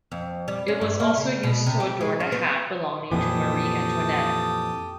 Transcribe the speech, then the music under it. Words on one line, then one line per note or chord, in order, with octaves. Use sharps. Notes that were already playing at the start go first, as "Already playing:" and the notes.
It was also used to adorn a hat belonging to Marie Antoinette.
F2
G3
C#4
G2
A#3
C#3
B2
C3
G4
G#3
C#4
B3
F2 A#2 E3 G4 A4 D#6